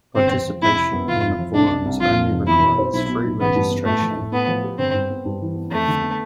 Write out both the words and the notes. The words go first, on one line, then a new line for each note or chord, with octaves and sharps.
Participation in the forums only requires free registration.
G1 C4
F2
F3
F2 E4
C3
B3
F1 F4
F2
F3
C2 D4
C3
C2
F1 F4
F2
F1
E2 E4
B2
C4
B1 E4
B2
B1
A1 B3
G2
B3
A2 A3
F3
A2
A2 B3
F3
G4
G1 C4
G2
B3
G2
E3
B3
F2 A3
D3
B3